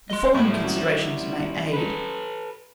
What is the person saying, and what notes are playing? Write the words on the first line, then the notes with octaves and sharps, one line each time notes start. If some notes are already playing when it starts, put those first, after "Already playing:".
The following considerations may aid.
D#5 C6
A2 G3 E4
F#2
A4 B4